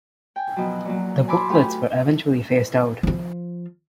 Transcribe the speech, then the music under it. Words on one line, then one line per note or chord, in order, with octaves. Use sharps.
The booklets were eventually phased out.
G5 G#5
B2 F3 F#3
A#2 F#3
G#5 A5 B5 C6 D6 E6
A3 F4 G4 B4 G#5
F3 F4